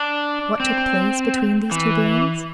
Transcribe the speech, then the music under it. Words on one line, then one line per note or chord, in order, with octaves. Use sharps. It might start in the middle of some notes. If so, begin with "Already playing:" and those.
What took place between these two beings?
Already playing: D4
C4
E3